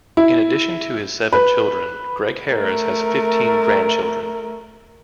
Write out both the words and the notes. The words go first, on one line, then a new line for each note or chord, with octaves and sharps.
In addition to his seven children, Gregg Harris has fifteen grandchildren.
E4
B4
A3 A#4